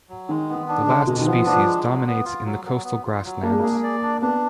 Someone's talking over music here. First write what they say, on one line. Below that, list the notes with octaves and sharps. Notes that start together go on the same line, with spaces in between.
The last species dominates in the coastal grasslands.
F#3
D#3 G#3
B3
D#3
D4
D3
G#3
B2 G#3
D#3
F3 B3
F3 D4
G#3
F#3
B3
F4
F#3
F#3
B3
F4
F#3
A#3 D4
G#3
A#3 G#4
D5
D4
B3 D4